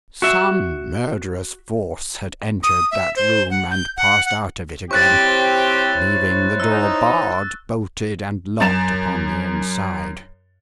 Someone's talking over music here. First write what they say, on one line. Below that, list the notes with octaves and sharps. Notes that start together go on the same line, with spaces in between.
Some murderous force had entered that room, and passed out of it again, leaving the door barred, bolted, and locked upon the inside.
F#4 E5
D#6
E5
C5
F#5
G6
F#5
F#5
C4 E4 G4 C5 C#5 C#6 F#6 A6
D#4 E6
F#2 A6 E7